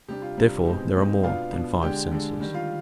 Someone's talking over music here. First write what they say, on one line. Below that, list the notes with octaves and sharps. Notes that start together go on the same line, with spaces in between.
Therefore there are more than five senses.
C3 G3 D4 G4
F4
C3 G3 D4
B2 G#3 C4 D#4 G4
B2 G#3 C4 D#4
B2 B3 D4 F4 F5
B2 B3 D4
D3 G#3 D4 G4 G5
D3 G#3 D4
D#3 G3 D4
F4 F5